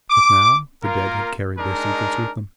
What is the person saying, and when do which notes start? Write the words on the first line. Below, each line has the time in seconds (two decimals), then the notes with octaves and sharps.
But now the dead had carried their secrets with them.
0.10 D6
0.83 A#3 F4 A#4
1.58 G#3 D4 D#4 A#4